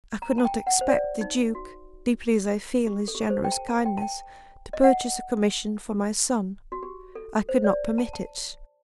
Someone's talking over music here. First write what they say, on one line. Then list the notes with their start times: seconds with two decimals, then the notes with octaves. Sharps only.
I could not expect the Duke, deeply as I feel his generous kindness, to purchase a commission for my son: I could not permit it.
0.22 A#5
0.38 A5
0.45 G5
0.67 F#5
0.81 C5
0.88 D5
1.21 D#4
1.55 F#4
2.87 G4
3.08 A4
3.15 G4
3.22 A4
3.30 C5
3.44 G5
3.52 A5
3.69 A5
3.85 G5
3.97 A5
4.02 G5
4.73 D#5
4.84 F#5
6.72 F#4
6.83 G4
7.15 A4
7.49 C5
7.64 D5
7.98 A5
8.13 A5